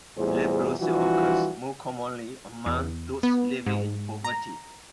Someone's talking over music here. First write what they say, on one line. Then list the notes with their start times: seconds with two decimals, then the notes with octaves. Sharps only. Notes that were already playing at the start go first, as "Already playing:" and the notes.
Leprosy occurs more commonly among those living in poverty.
0.17 E2 A2 G3 F4 G#4 C5
0.79 E3 F3 G3 D4 F4 F#4
2.66 E2
3.23 B3
3.66 G#2
4.24 A#5